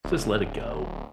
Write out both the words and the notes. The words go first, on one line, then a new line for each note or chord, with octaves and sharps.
just let it go."
D1